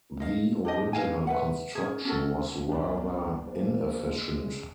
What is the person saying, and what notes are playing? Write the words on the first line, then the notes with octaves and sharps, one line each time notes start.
The original construction was rather inefficient.
D#5 F5
D4 G4 D#5
B4 D#5 F5 G#5
B4 E5 F#5
C#4 D#4 G#4
C#4 F#4 A4
G1 C#2 D4
G#2 F3 A#3
C#3 G#3